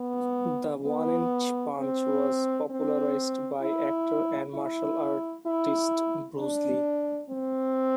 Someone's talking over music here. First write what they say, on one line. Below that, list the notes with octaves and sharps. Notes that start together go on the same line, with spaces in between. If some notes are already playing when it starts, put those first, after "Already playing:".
The one-inch punch was popularised by actor and martial artist Bruce Lee.
Already playing: B3
B3
C4
C4
E4
E4
E4
D4
C4